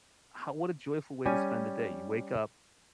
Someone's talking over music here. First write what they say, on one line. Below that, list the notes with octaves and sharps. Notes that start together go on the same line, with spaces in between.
how what a joyful way to spend the day. You wake up,
G3 C#4 G#5